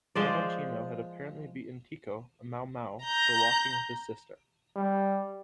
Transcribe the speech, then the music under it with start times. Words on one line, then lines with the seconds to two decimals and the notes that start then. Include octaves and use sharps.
Lavonchino had apparently beaten Tico, a Mau Mau, for walking with his sister.
0.15 F3 G#3 C5 D5
3.04 A#5 G6
4.76 G3